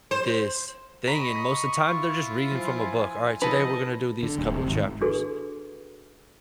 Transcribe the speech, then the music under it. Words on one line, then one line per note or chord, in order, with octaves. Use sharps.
this thing, and most of the time, they're just reading from a book. "Alright, today, we're gonna do these couple chapters,
C5
D#5 A#5 B5 C#6 B6
E4 F4
F3 G#5
F3 D#4 A4 B4 D#5 B5
D3
D1
C3
G#1
D4 F#4 G#4 A4 B4